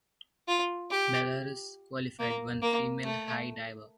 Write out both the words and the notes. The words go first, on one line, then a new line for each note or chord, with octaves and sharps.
Belarus qualified one female high diver.
F4
G4
A#3
A#3
A3